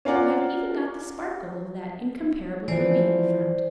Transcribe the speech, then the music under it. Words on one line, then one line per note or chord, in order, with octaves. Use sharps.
"You have even got the sparkle of that incomparable ruby in the front."
C#4 F4 A#4 D5 F#5
E3 F3 C5 D5